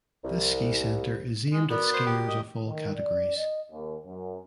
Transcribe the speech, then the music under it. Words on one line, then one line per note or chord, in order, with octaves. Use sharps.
This ski center is aimed at skiers of all categories.
C2
G#3
B3 F#4 A#4 D5
C5
G4
D#5
D#3
D5
D#5
D#2
F#2